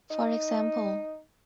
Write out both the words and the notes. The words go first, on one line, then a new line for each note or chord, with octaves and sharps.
For example.
D#4